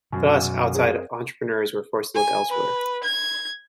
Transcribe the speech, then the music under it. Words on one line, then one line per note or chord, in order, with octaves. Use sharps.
Thus, outside entrepreneurs were forced to look elsewhere.
F#2 B2 D#3 G3
C4 G#4 A#4
G#5
B4
G#6